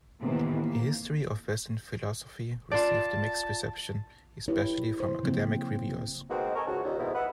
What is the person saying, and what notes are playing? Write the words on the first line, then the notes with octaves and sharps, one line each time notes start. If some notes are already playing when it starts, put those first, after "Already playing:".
"A History of Western Philosophy" received a mixed reception, especially from academic reviewers.
A2 C3 D#3 E3 A#3 B3
A#3
F4 D5 A5
E4 G4 B4 C#5
C5
C#3 F3 F#3 A#3 C4
B2 G#3 A#3 C4 D#4 F#4
A4 A#4 D#5 G#5 C#6
C#2 G#2 C#3 F#4
D#2 A#2
F2 G#2 B2 D#3 B3 E4
B3 B4 D#5 E5 F#5